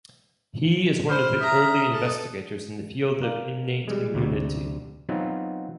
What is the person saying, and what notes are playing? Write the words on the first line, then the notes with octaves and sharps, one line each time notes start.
He is one of the early investigators in the field of innate immunity.
C5 B5 F6
E5 A#5 D#6
A4
A#4 D5 F5
G3 G#3
D2 C3
F#3 B3 C4 D#4 F4